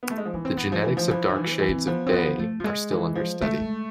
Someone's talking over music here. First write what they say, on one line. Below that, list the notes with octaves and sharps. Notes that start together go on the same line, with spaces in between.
The genetics of dark shades of bay are still under study.
B3
A3
G#3
F3
E3 B3
C4
B3
F3 A3
E3
F3
E3 F3
D3
E3
C4
E3
C4
F3 B3
F3 C4
B3
F3
A3
F3
G#3
E3
F3
G#3 A3
G#3